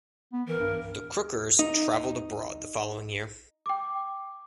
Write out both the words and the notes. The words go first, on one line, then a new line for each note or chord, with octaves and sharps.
The Crookers traveled abroad the following year.
B3
E3 A#4
G2
D#4
G5 D6